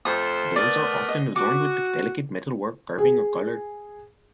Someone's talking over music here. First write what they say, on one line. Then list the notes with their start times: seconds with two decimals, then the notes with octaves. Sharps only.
Doors are often adorned with delicate metal work, carving or color.
0.05 F2 A3 C5 D#6
0.56 A3 B3 A#4 D5
1.09 D#5
1.36 F#4 D6
2.98 G#4